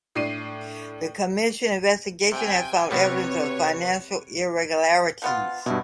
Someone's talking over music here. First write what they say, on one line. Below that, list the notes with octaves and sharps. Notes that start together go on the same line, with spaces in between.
The Commission investigation had found evidence of financial irregularities.
A2 D4 C7 D#7
C3 G5 G#5
C3 G3 B3 F#4 B4 C#5
F3 B3 F4
G2 B2 E4